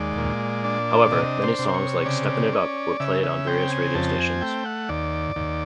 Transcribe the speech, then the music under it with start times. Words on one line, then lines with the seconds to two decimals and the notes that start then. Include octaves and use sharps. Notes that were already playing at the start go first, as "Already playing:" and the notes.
However, many songs like "Steppin' It Up" were played on various radio stations.
Already playing: D#2 G#3 D5
0.17 A#2
0.64 D4
1.12 C3 D#5
1.43 C5
1.59 C3
1.68 C5
1.74 C#5
2.05 C#3 D5
2.53 C#4
3.00 C#3 E5
3.23 E5
3.47 C4 G5
3.70 G#5
3.95 F2 A5
4.18 G#5
4.41 A3 G5
4.65 F#5
4.89 D#2 D5
5.36 D#2